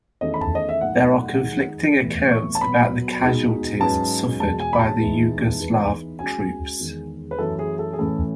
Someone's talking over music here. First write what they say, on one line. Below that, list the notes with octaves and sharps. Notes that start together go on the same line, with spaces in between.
There are conflicting accounts about the casualties suffered by the Yugoslav troops.
E2 D#3 A3 C#4 E4 D#5
B5
A5
D#5
E5
A2 F#3 A3 D#4 A4 F#5
D#3 G#3 D#4
A2 E3 B3
C#6
A5
B2 F#3 B3 B5
B2 G#3 D#4
G#2 F#3 C#4 G#4 B4 A5
E2 B2 G#3 A5
G#5
B5
A5
E3 G#3 B3 D#4 G#4
E3 B3 D#4 G#4 B4
G#3 C#4 F#4 G#5
E2 D#3 G#3
B4
F#2 E3 A3 A4
G#4
A4
G#4
A2 E3 A3 C#4 A4